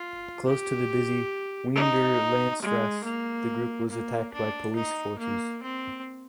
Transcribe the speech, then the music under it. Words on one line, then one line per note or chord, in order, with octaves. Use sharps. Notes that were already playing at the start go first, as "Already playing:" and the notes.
Close to the busy "Weender Landstrasse" the group was attacked by police forces.
Already playing: F4
G4
D#4
G#3
A#3
A#3
D4
D#4
A#3
C4